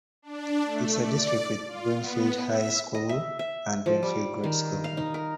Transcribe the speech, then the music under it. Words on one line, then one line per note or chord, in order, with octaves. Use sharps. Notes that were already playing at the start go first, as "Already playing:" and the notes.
It is a district with Brimfield High School, and Brimfield Grade School.
D4
A3
D5
F4
B3
E5
D#5
E5
E5
F3
G3
D#3
F5
D#4
A#4